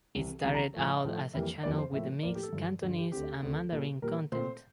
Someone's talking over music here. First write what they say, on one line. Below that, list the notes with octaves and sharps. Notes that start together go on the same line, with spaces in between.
It started out as a channel with mixed Cantonese and Mandarin content.
C2 C3 E3
C2 C3 E3 A#5
A#5
A2 F3 A3
A2 F3 A3
F2 E3 G3 A#3 E5
F2 E3 G3 A#3 D5
C5
A2 F3 A#3 E5
A2 F3 A#3 D5
G4
A4
G2 D3 F3
G2 D3 F3 A4
G4
D2 D3 A3 C4 G4
D2 D3 A3 C4
A#2 G3 A#3 A4
A#2 G3 A#3 A#4
A#2 A3 C4 C5